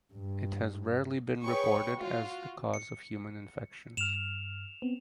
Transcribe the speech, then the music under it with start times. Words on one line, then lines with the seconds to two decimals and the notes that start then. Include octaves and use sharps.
It has rarely been reported as the cause of human infections.
0.13 G2
1.43 G#4 B4 C#5 G5 C#6
1.95 F4 F#4
2.74 C#7
3.97 G2 F6 E7 F7
4.82 B3 C4